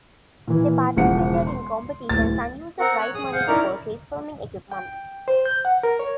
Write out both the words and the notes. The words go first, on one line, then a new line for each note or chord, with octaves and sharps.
They participated in competitions and used the prize money to purchase filming equipment.
A#2 E3
E1 C#3 F3 C5 F#5 C#7
C6
D1 A6
C4 A#4 F#5
C#5 F#6
G#4 D#6
G#4 C5 F5 F#5
C#4 D#4 E4 A#4 D5 F6
G5
C5
G6
F#5
A#4
C#5